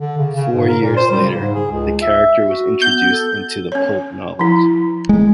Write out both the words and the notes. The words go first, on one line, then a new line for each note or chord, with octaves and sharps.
Four years later, the character was introduced into the pulp novels.
D3
C#3
C#3
G#2
A#4
A#2
C5
G3
C#3
G#2
G#4
C#2
E5
F#4
B3 G6
A4
C#4 C#5
F3 E4
G#3